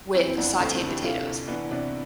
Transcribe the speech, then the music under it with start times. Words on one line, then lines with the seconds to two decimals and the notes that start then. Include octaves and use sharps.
with sauteed potatoes,
0.15 E3 C4 E4
0.28 C4
0.37 F2 B3 D4
0.60 D2 A3 C4
0.74 C4 E4
0.81 D3
0.89 E4 G4
1.04 C3 F4 A4
1.27 C2
1.48 E3 B3 D4
1.71 C3 B3 D4